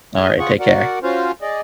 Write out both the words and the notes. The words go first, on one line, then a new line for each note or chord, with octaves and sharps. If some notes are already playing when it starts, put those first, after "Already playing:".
Alright. Take care.
G#4 G#5
F4 G#4 F#5 C#6
F#4 A#4 D5 F#5
C#4 F4 F#4 C5 F5
G#4 D5 D#5